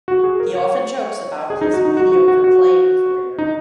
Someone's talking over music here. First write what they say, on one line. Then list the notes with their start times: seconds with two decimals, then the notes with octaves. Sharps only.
He often jokes about his mediocre playing career.
0.08 F#4
0.24 G#4
0.40 A#4
0.55 C#5
1.50 G#4
1.61 D#4
1.74 F#4
1.85 D#4
1.97 F#4
2.12 F#4
2.28 F#4
2.44 F#4
3.38 D#4